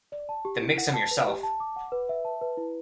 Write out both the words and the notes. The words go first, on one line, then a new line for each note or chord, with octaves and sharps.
Then make some yourself.
D5
A5
G4
E4
F#5
A5
B4
G4
A5
D6
F#5
B4
E5
A5
B4
E4